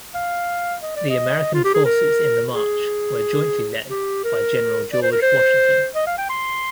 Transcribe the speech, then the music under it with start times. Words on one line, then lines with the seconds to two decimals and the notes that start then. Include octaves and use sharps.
The American forces in the march were jointly led by General George Washington.
0.14 F5
0.82 D#5
0.96 D5
1.10 D#5
1.54 F4
1.64 G4
1.74 G#4
1.85 A#4
2.53 G#4
3.90 G4
4.24 A#4
4.93 D5
5.02 C5
5.12 A#4
5.22 C5
5.95 D#5
6.07 F5
6.18 G5
6.29 C6